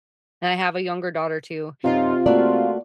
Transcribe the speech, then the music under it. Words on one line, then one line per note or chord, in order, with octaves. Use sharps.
and I have a younger daughter too.
F#2 C3 D#4 F4 F5
A3 A#3 F#4 D5